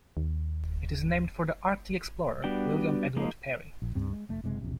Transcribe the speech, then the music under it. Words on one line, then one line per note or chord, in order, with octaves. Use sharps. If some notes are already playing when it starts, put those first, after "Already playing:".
It is named for the Arctic explorer William Edward Parry.
D#2
G3 B3 D4 F#4 G5
F3 G#3 A#3 D#4
A#1
C#2 G2 C4
G#3
F1 A3
F#1 C3 G#3
E1 A#1 C3